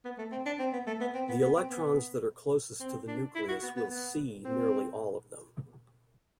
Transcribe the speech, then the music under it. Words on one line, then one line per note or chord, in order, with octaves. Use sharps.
The electrons that are closest to the nucleus will 'see' nearly all of them.
B3
A3
C4
D4
C4
B3
A3
B3
C4
B3
B3
C4
B3
C4
D4
E4
F#4
B3
B3
B3
C4